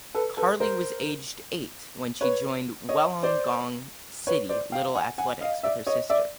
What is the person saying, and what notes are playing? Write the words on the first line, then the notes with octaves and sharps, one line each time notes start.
Carli was aged eight when she joined Wollongong City Little Athletics with her sister.
A4 B4
A4 B4
A#4 C5
B4 C#5
C#5 D#5
C5 D5
B4 C#5
C5 D5
F5 G5
F#5 G#5
F#5 G#5
D#5 F5
D5 E5
C#5 D#5
D5 E5